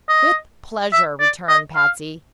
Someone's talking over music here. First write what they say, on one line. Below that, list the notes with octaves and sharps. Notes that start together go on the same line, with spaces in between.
"With pleasure," returned Patsy.
D#5
E5
D5
D#5
F5